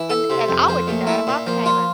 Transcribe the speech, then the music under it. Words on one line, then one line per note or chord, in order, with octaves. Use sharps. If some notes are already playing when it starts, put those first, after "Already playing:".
And and I would do that if I became a
Already playing: E3 E4
A4
C3
F2
F3
A#2 A3
E4
A#2
F3 A#3
F4